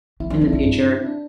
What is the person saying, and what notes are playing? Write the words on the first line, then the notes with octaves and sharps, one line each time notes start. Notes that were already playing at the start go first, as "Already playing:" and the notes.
in the future,
F#3 E4
F#3 D4
E3 C4
E4
D3 D4
G2 C4
E4
D4